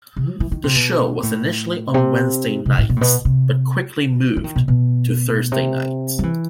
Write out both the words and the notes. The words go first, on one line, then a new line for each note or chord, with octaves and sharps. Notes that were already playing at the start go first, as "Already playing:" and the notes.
The show was initially on Wednesday nights but quickly moved to Thursday nights.
C3
F#3
E3
D#3
C3
B2
A2
C3
C3
A2
B2
A2
B2
C3
E3
D#3
B2
B2
C3
F#3
E3